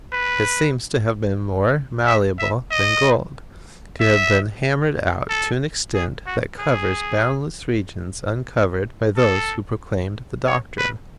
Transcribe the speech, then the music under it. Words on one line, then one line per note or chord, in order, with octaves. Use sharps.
It seems to have been more malleable than gold; to have been hammered out to an extent that covers boundless regions undiscovered by those who proclaimed the doctrine.
B4
E5
E5
D#5
E5
A4
G#4
F#4
G#4
A4
C#5
B4